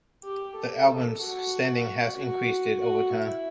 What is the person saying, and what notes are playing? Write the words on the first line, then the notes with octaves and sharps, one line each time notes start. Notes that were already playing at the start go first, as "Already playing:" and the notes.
The album's standing has increased over time.
G4
A4
F#4
F#4
F#4
E4